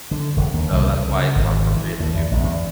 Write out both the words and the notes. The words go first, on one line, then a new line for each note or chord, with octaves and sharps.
So, that's why it's more appropriate to
D3
E1
D#2
C2
C3
C#3
G#1
E3
D#2
E2
A1
E2